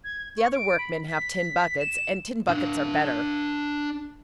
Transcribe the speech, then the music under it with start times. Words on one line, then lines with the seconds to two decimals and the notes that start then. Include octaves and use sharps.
The other workmen have tin buckets, and tin buckets are better.
0.04 G#6
0.38 C#6
0.54 D7
0.78 B5
1.07 B6
1.79 E7
2.49 D4 F5